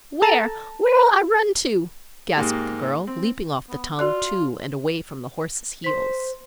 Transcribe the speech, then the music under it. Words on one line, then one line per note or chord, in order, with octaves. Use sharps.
"Where, where'll I run to?" gasped the girl, leaping off the tongue, too, and away from the horses' heels.
A4 A5 A#5
G#2 A#3 G4
C4
B3
F4 F#4 D5 F#6
C5 C6 B6